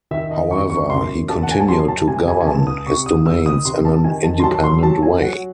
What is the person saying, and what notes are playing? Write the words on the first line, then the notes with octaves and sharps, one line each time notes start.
However, he continued to govern his domains in an independent way.
D#3 E5
D#5
F#2 C#6
C#6
F#2 C6
F#2 A5
F#5
G#5
A5
F#3 C6
A5
C3 G#5
G#5
G#5
C#2 A5
D#6
C3 C#6
D#6
D#3 E6
D#6
C3 C6
A5
D#3 G#5
A5
C6
F#3 A5
C6
F#3 A5
G#5
F#3 F#5